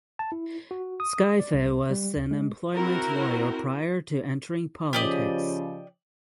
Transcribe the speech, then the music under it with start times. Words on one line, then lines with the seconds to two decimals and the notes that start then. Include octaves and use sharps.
Scaife was an employment lawyer prior to entering politics.
0.19 A5
0.32 E4
0.71 F#4
1.00 D#6
1.40 D5
1.53 C2
1.90 G3
2.16 D2
2.31 G#3
2.73 C4 E4 F#4 A#4
4.93 C#3 F3 G4 D5 D#5